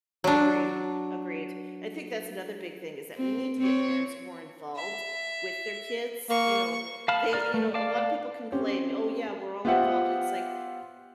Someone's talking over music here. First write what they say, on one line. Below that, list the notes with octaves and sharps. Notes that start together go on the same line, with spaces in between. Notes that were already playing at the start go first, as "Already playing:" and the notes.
Agreed. Agreed. I think that's another big thing is that we need to get parents more involved with their kids, you know, they you know, a lot of people can claim, "Oh, yeah, we're all involved," and it's like,
F#3 D4
C4
C4 C#5
E5
A#3 C#6
F5 A5 B5 F6
A#4 D5 F6
A3
D5 F5 A5 D6
C4 C#4 G4
B3 F4 G4 C5 E5 F#5